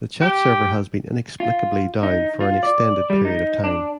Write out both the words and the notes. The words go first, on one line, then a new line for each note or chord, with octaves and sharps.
The chat server has been inexplicably down for an extended period of time.
G4
F4
D#4
F4
D5
G3
D#4
D4